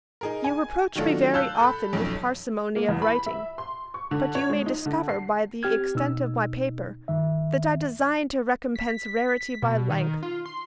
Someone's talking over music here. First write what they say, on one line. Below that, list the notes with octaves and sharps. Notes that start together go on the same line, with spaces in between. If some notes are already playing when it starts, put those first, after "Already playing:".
'You reproach me very often with parsimony of writing: but you may discover by the extent of my paper, that I design to recompence rarity by length.
D#4 G#4 A#4
G#5
D#3 F#3 A3 D4 F4 A4
F5 A5 E6 F#6 G6
A4 B5
B1 F2 C#4
A#3
E2
B5
E5
C6
C#6
D3
C#5
G#3
D#4
D3
C7
C4 G4 F6 G#6
B2 D#4 E6
G2 D#3 E5
B6
B6
B2
D#3
F4
C6